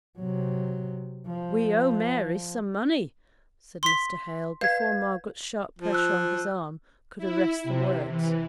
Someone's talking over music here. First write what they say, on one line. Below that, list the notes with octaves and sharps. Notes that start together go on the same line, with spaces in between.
'We owe Mary some money,' said Mr. Hale, before Margaret's sharp pressure on his arm could arrest the words.
C3 F#3
F3
C6 B6
B4 F5 G#6
F3
E6 F#6
E4
C3
E3